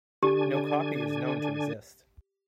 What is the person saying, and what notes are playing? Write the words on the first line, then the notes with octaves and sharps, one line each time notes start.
No copy is known to exist.
D3 D4 G4 G#5